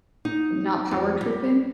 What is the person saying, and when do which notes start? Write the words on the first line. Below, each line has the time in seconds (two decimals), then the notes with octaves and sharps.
not power tripping?
0.25 D#4
0.91 F2
1.21 G3